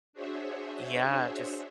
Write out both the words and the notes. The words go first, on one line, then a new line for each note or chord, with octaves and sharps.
Yeah, just
D4 F#4 G#4 C5 C#5 E5